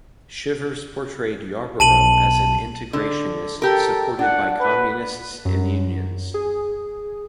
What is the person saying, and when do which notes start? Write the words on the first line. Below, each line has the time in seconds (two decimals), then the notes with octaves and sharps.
Shivers portrayed Yarborough as an integrationist supported by communists and unions.
1.80 B1 A5 D#7 F#7
2.93 D3
3.62 G4 A4 A#4
4.19 D4 F#5
4.60 B4
5.45 F#2
6.34 G#4